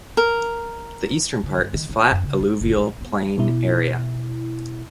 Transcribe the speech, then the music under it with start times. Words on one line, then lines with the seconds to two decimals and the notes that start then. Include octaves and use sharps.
The eastern part is flat alluvial plain area.
0.17 A#4
1.44 D3
1.58 G1
1.73 D#3
1.90 D#4
2.11 F#2
2.23 C#3
2.41 D#4
2.61 F#1
2.76 A#1
3.01 B3
3.38 B2 E4